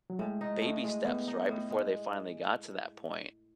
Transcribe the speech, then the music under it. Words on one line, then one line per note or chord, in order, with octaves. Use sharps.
baby steps, right, before they finally got to that point.
F#3
A2 G#3
D#4
A2 A3
G#3
A2 B3
D#4
A2
G#3